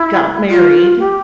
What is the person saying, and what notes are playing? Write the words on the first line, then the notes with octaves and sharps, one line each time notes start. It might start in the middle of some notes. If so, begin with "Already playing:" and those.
got married,
Already playing: E4
F4
G4